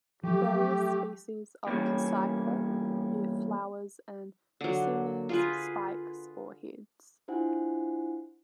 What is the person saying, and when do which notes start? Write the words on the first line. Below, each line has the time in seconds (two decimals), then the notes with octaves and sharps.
Various species of "Cassytha" bear flowers in racemes, spikes, or heads.
0.23 F3 F#3 A3 G4
1.67 E2 G3 A#3 C4 C#4
4.61 D3 F#3
5.29 F4 G#4 B4
7.28 D4 E4 F4 C5 F#5 G#5